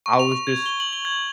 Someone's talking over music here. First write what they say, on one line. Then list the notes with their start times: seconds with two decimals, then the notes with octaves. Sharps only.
I was just
0.06 C#6
0.19 F7
0.32 C#6
0.47 G#6
0.66 G7
0.80 F#7
0.93 G7
1.05 G#6